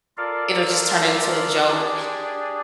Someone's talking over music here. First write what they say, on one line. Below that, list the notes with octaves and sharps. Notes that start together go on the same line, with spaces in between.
it'll just turn into a joke.
F4 A4 A#4 D5 F5
D4 G4 G#4 D5